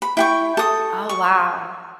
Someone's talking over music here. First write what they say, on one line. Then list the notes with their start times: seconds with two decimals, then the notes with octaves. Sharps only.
Oh, wow.
0.02 B5
0.17 E4 G5 C#6
0.57 A4 D#6
1.09 C#6